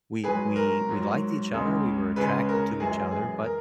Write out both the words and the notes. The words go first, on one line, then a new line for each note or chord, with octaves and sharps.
we we we liked each other, we were attracted to each other, but
G#2 F#3 G#4 B4
A#4
G#2 F#3
C#2 C#3 G#3
C#2 C#3 G#3 G#4 B4
A#4
F#2 E3 G#3 G#4
G#4
A#4